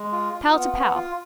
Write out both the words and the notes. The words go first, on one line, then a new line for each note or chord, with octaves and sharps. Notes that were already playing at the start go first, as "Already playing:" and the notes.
Pal to pal.
Already playing: G#3
F4
F4
B3
B3
F4